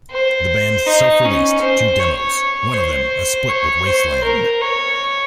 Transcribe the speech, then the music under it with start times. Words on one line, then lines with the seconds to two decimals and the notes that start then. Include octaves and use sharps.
The band self-released two demos, one of them a split with Wasteland.
0.11 C5
0.86 D#4
1.24 C#4
1.61 C5
1.99 C#5
2.73 C5
3.49 C#5
3.86 C5
4.24 A#4
4.61 C#5